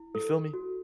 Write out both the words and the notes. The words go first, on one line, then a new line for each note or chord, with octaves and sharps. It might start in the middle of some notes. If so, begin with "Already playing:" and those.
You feel me?
Already playing: E4
A4
F#4